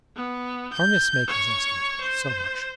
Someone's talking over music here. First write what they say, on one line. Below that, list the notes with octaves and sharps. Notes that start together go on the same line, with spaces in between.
Harness-maker's estimate, so much.
B3
G6
C#5 C#6
C5